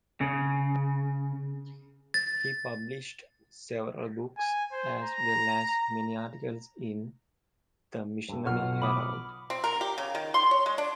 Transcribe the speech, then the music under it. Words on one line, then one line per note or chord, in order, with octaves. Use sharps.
He published several books, as well as many articles in "The Missionary Herald".
C#3
A6
G#5
C5
A#5
G2 A4
B1 B2 F4 F#5 F6
B5 D6 D#6
C4
A#4
G4
C#3
D#3
C6
C#5
G#3
D4